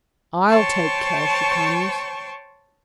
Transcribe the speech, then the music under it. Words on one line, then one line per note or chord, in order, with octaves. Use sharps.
I'll take care she comes.'
C5 C#5 G5 A5 C6 C#6